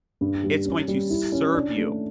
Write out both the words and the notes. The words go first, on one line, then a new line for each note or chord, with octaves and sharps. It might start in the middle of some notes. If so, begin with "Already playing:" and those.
it's going to serve you,
G2
G3
C#4
G3
E4
C#4
D4
A3